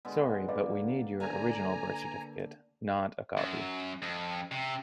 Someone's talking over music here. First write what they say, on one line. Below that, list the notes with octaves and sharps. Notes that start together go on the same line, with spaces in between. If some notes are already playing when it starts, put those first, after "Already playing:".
Sorry, but we need your original birth certificate, not a copy.
B2 D3 G#3
A#3 B4 D5
D3 G#5 A#5
F#2
F2
C3